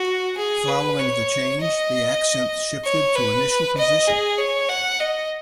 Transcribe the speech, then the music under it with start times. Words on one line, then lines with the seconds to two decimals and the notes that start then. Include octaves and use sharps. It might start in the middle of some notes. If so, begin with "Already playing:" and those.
Following the change, the accent shifted to initial position.
Already playing: F#4
0.38 G#4
0.68 B4
0.99 C#5
1.61 D#5
2.84 C#5
3.15 B4
3.77 D#5
4.07 G#4
4.38 C#5
4.69 F#5
5.00 D#5